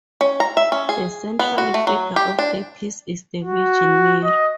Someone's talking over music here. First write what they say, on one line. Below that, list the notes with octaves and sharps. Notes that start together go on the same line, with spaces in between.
The central figure of the piece is the Virgin Mary.
C#4
A#5
E5
C#4
G#4
B3
F#4
A3
F#3
G4
D4
F#4
D#5